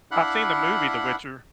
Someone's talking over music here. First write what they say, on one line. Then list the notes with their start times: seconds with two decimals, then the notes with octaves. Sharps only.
I've seen the movie The Witcher.
0.11 D4 E4 F5 F#5 B5 F#6